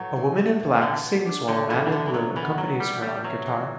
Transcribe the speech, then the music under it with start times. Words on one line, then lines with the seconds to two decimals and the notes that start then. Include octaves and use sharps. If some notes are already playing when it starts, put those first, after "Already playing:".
A woman in black sings while a man in blue accompanies her on guitar.
Already playing: A2 F#3 B3
0.16 E3
0.38 E4
0.60 B2
0.82 B2 D3
1.04 B2
1.25 D4
1.48 D3 A3
1.70 B2 E3
1.86 E3
1.91 B2 D3
2.07 E3
2.13 B2 F#3
2.36 E3 B3
2.58 F#3 B3
2.80 E3 G3
3.01 G3 E4
3.24 E3 F#3
3.46 E3